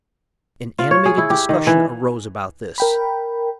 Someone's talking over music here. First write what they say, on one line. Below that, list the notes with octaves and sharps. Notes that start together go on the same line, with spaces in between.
An animated discussion arose about this.
F4
C#5
G#4
E4
G4
D#3
E3
A#4 G5 B5